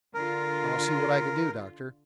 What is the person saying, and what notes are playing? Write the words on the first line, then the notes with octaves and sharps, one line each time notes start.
"I'll see what I can do, Doctor."
D3 F4 A#4